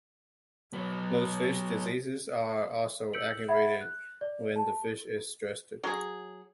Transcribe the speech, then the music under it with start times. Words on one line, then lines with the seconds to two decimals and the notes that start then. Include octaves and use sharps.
Most fish diseases are also aggravated when the fish is stressed.
0.73 F#3 B3
3.13 E6 G6 B6 C#7 D7 F#7
3.48 E5 F#5 B5 G#6
3.81 F#6
4.21 D5
4.56 A5
5.83 F#3 G#4